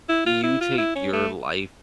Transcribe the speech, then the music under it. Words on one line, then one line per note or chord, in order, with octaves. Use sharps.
you take your life
E4
F4
E4
F4
E4
C#4
A3